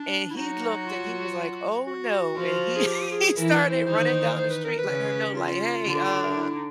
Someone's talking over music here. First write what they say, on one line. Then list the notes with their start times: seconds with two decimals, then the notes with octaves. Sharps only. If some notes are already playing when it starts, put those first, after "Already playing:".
and he looked and he was like, "Oh no," and he he started running down the street letting her know like, "Hey, uh,
Already playing: D4
0.31 E4
0.37 F#3 D#4 F#4
0.87 F4
1.87 F#4
2.37 F3 F4
2.76 G#4
2.87 G4
3.02 G4
3.11 G#4
3.36 E3 E4 A#4
3.53 B4
3.70 C5
3.86 D#3 D#4 C5
4.36 C5
4.50 B4
4.64 A#4
4.78 B4
4.86 C#3 C#4
5.37 F4
5.86 D3 D4
6.36 E4
6.55 D#4